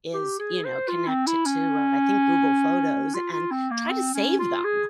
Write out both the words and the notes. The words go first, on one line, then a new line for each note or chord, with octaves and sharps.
is, you know, connect it to, uh, I think, Google Photos and try to save them.
G4
G#4
C5
F4
C4
E4
C#4
F4
F4
C4
A#3
C4
C#4
F4
G#4